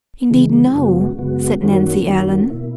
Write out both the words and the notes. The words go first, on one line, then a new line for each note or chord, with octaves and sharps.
"Indeed, no!" said Nancy Ellen.
C#3 E3 G#3
F#2 C#3 G#3 B3 F#4
F#2 C#3 G#3 B3 F#4
F#2 D#3 A#3 C#4 F#4
F#2 D#3 A#3 C#4 F#4
B2 A#3 E4